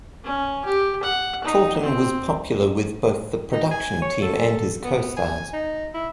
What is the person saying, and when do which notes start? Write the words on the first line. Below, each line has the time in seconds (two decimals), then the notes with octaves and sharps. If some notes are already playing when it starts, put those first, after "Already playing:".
Troughton was popular with both the production team and his co-stars.
0.24 C#4
0.65 G4
1.03 F#5
1.45 D#4
1.83 C4
3.52 D#4
3.71 G#5
4.02 C#5
4.22 A4
4.84 B3
5.17 G#5
5.53 D#4
5.94 E4